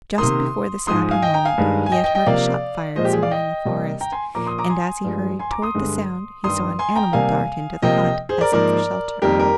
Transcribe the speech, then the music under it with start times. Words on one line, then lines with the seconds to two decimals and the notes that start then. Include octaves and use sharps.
Just before this happy moment he had heard a shot fired somewhere in the forest, and as he hurried toward the sound he saw an animal dart into the hut, as if for shelter.
0.18 C3 D#3 A#3 C6 D#6
0.87 G#2 F3 G#3 C6 D#6
1.11 F5 G#5
1.22 D#5 G5
1.34 G5 A#5
1.45 F5 G#5
1.58 G2 D#3 G#3
1.86 G#5
1.92 D#5 G5
2.04 D#5 G5
2.15 D#5 G5
2.26 C3 F3 A#3 D5 F5
2.96 A#2 F3 G#3 C5 D#5
3.05 G4
3.13 G#4
3.22 D5 F5
3.31 D#5 G5
3.65 C3 G3 A#3
4.01 G5 A#5
4.12 G#5 C6
4.35 A#2 F3 A#3 A#5 D6
4.46 C6 D#6
4.58 A#5 D6
4.70 G#5 C6
5.04 G2 F3 G#3
5.39 G#5 C6
5.51 A#5 D6
5.62 C6 D#6
5.74 G2 D3 G#3
6.44 G2 D#3 G3 C6 D#6
6.79 G#5 C6
6.96 G5 A#5
7.13 C3 G3 A#3 F5 G#5
7.82 C3 F3 A#3 D#5 G5
8.29 G#4 C5
8.41 A#4 D5
8.52 G#2 F3 A#3 A#4 D5
9.22 F2 D#3 G3 A#3 G4 A#4
9.39 G4 A#4